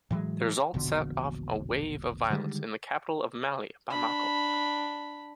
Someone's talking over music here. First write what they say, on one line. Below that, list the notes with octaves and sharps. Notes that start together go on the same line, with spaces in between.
The result set off a wave of violence in the capital of Mali, Bamako.
A2 E3 F#3 G#3
E1 A#1 B2 D3
D3 D#3 G3 G#3
D4 B5